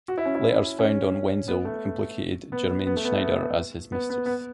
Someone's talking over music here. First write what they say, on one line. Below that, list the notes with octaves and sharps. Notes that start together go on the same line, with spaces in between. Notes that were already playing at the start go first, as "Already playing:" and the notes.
Letters found on Wenzel implicated Germaine Schneider as his mistress.
F#4
E4
C#4
E4
C#4
B3
A3
B3
B3
A3
B3
A3
B3
B3
B3
B3